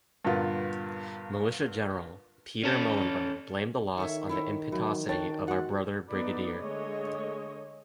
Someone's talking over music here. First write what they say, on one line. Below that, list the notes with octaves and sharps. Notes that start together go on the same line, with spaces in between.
Militia general Peter Muhlenberg blamed the loss on the impetuosity of our brother Brigadier.
G2 A#2 D3 A#3 B3 F4
C#4 A4
D#3 A4 C#5 E5
E4 A4 C#5
E3 F#3
D4 F#4 C#5 G5 A5 A6
G#3 F#4 F#5
B3 D#4 A4 D5 B5
D3 G#3 A3 G#4 C#5 D#5